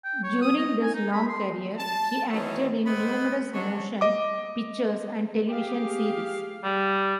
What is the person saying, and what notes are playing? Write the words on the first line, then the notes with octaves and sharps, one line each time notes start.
During his long career, he acted in numerous motion pictures and television series.
G5
C#5
D#6
D#5
G#5
D#4
B5
C6
A5
D#3 E3 F#3 C4 C#4 D#4
G#2 G#3 B3 C4 C5 B5
D3 F#3 G#3 C#4 D4 F#4
D#5 D6
G4 G#4 F5
G3